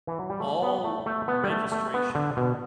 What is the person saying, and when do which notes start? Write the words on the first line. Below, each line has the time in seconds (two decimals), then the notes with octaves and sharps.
all registration,
0.07 E3
0.19 F#3
0.30 G3
0.40 A3
0.62 B3
0.84 A3
1.06 A3
1.28 B3
1.44 G3
1.50 A3
1.72 A3
1.94 B3
2.15 D3
2.37 B2